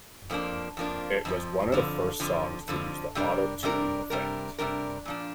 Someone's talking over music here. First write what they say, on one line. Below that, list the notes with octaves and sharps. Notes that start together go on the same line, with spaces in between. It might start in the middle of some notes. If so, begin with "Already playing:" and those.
It was one of the first songs to use the autotune effect.
F2 F3 A#3 D4
F2 F3 A#3 D4
F2 D3 F3
F2 D3 F3
F2 D3 F3
F2 D3 F3
C3 G3 D4 A#4
C3 G3 D4 A#4
C3 G3 D4 A#4
C3 G3 D4 A#4
A#2 F3 D4